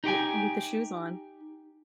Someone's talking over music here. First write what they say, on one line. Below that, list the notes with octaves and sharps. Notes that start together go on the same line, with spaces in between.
W with the shoes on.
D#4 G4 G5 G#5